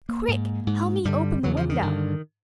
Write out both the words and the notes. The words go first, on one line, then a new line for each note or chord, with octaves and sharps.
"Quick, help me open the window."
A#3
G#2
G#2
G2 D3 G3
E2 C#3 F#3
F3
D#3
G2 D3